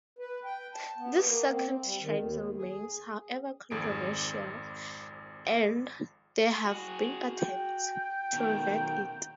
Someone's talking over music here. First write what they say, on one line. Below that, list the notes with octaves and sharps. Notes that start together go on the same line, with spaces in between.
This second change remains however controversial and there have been attempts to revert it.
B4
G5
A5
B3
A#3
C4
G3
D#3
D#2
E2
G#4
G#1 F2 G#4 D7
F#4 G#4
G5
B2 D#3